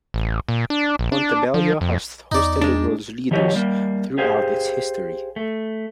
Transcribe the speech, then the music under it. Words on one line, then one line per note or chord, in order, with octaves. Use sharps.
Montebello has hosted the world's leaders throughout its history.
A1
A#2
D4
A#1
D4
F3
F2
E2 D#4 D5
G#3 D4
D#3 F3 G4 C#5 D#5
G3 A#3
G4 G#4 C5 F5
A3